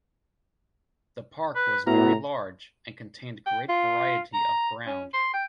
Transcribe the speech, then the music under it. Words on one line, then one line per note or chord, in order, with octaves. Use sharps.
The park was very large, and contained great variety of ground.
B4
A2 B3 E4 F#4 A#5
G5
F4
A#5
C#4
C6
G5